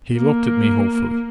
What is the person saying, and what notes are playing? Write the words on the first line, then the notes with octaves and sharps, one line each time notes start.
He looked at me hopefully.
A#3